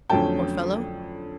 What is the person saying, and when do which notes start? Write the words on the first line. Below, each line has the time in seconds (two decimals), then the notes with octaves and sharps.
Poor fellow!
0.10 F2 D3 F#3 A3 C#4 G5 A5